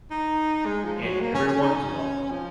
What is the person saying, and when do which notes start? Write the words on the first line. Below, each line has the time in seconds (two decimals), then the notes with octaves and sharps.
And everyone’s welcome.
0.11 D#4
0.66 G#3
0.84 F3
1.03 F#3
1.21 A#3
1.34 C#4
1.48 C#4
1.62 D#4
1.76 C#4
2.31 F3